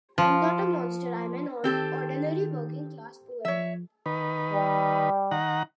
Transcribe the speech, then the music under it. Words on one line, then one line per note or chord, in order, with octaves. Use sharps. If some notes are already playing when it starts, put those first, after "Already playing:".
I am not a monster I am an ordinary working-class poor man.
F3
D#3 C4 G4 A4
F3 C#5 E5
D#3 B4
G3
D#3 F#5 A#5